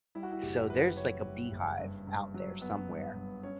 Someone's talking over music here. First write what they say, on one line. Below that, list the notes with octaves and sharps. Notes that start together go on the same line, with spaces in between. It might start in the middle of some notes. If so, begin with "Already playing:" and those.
So there's like a beehive out there somewhere
G3 E4
F#4
E4
F#1 G4
F#2 B4
E3 C#5
G3
F#1
G2
G2
F#3
B3
G2
G2
C#4 C#5